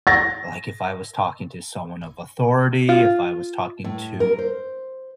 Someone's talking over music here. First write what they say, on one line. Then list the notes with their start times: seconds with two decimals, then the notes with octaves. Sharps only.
like, if I was talking to someone of authority, if I was talking to
0.07 A6 A#6
2.89 F4
3.84 A2
4.20 A#4
4.39 C5